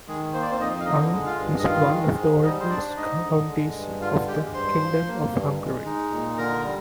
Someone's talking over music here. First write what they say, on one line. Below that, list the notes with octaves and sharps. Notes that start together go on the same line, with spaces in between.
Ung is one of the oldest counties of the Kingdom of Hungary.
D#3 G#3 G#4
A#3 C5
D5
C4 C5
F2 D#4 D#5
F5
D3 D#4 D#5
G#3
F4 F5
G2
D#5
D#3 F4 F5
G#3
G#2
G3 D#4 D#5
C5
D4 D5
G#2 D#4 D#5
D3
G#3
G2
D3 F4 F5
G#3 G4 G5
G2 C5 C6
F3
A#3
G2
G#3
D#4
A#2
D3 A#4 A#5
G3